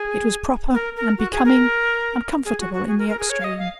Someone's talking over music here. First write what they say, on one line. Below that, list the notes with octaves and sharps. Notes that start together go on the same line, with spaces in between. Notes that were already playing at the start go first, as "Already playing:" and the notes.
It was proper, and becoming, and comfortable in the extreme.
Already playing: G#4
A#4
A#4
F#4
G#4
A#4
G#4
F#4
F#4
G#4
A#4
A#4
G#4
C#5
F5
D#5
F5